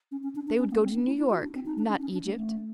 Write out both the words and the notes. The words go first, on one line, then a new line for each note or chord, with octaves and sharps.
They would go to New York, not Egypt.
C#4
C#4
D4
D4
C#4
A#3
C4
D4
E4
E4
F#4
D4
C4
D#4
D4
C#4
C#4
D4
A3
A3